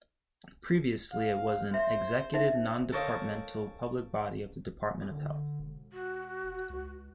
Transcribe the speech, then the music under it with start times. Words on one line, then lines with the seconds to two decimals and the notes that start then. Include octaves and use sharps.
Previously it was an executive non-departmental public body of the Department of Health.
1.12 F5
1.74 C5 E5
2.34 D#4 C5 E5
2.92 A4 A#4 C5 C#5 D#5 F5
5.11 D3
5.59 E1
5.93 F#4
6.70 C#2